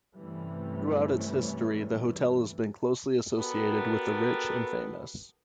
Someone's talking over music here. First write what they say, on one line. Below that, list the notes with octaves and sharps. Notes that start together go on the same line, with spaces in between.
Throughout its history the hotel has been closely associated with the rich and famous.
G2 C3 E3 G3 A3 C#4
B3 D4 F#4 G4 A4 A#4